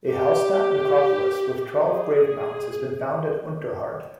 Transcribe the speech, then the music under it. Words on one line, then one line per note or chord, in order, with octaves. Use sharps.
A Hallstatt necropolis with twelve grave mounds has been found at Unterhard.
G4
G#4